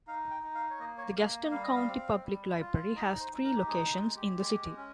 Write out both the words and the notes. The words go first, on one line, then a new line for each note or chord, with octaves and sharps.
The Gaston County Public Library has three locations in the city.
D#4 F5
G5
D#4
F5
C#5
A#3 D#5
C#5
A#3 F5
G3 F5
D#5
F5
C4
G3
F4
D#4 D#5
C5
D#4
A#4
G4
G#3 G#4
G#4
G#3
G4
G#3
C#4